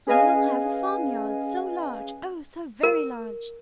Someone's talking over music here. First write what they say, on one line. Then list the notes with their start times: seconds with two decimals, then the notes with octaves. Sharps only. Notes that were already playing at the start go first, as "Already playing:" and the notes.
You will have a farm-yard, so large, oh! so very large!
0.07 C#4 G#4 B4 D#5 F5 G#5
2.83 A#4